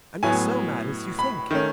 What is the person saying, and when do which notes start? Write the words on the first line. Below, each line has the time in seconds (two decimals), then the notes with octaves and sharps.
I'm not so mad as you think.
0.23 A2 F#3 B3 G#5
1.19 B5
1.51 D#3 A3 C#4